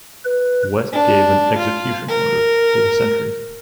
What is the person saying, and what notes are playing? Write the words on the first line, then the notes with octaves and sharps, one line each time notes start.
West gave an execution order to the sentries.
B4
D4
F4
A#4